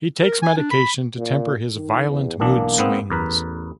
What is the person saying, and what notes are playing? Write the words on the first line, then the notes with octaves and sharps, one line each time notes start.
He takes medication to temper his violent mood swings.
A#4
G#5
D4
B5
A#2
D#3
E2
B1 E3 A#3 D4
G#2 B3 C4
A1 E2 A#4 B4